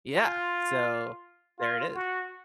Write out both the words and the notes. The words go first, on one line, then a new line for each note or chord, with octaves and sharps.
Yeah. So, there it is.
F4
F4
F#4